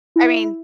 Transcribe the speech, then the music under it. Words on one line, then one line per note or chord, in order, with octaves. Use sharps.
I mean
E4